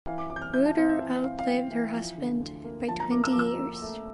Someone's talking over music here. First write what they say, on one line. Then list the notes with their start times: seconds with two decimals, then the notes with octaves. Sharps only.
Reuter outlived her husband by twenty years.
0.06 E3 F5
0.18 D6
0.30 E3 D6
0.36 G6
0.42 F6
0.53 E3 G6
0.66 A5
0.77 C4 F5
0.89 E5
1.01 E3
1.24 C4 F5
1.39 F5
1.47 E3 G5
1.70 E3
1.94 F3
2.18 D3
2.41 D2
2.64 A#3
2.88 F3 A5
3.00 A#5
3.11 A#3 D6
3.24 E6
3.32 D6
3.35 F3 E6
3.58 A#3
3.82 A3